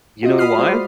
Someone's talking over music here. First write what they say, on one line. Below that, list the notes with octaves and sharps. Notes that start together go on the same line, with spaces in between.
you know why?
F4 F#4 D#5
B5 D#6 F6 C7
G#3 C5 D5